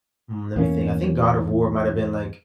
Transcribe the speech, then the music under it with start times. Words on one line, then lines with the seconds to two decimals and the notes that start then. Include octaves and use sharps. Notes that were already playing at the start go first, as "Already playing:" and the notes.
mm, lemme think I think God of War might have been, like
0.56 E2 A#3 C4 C#4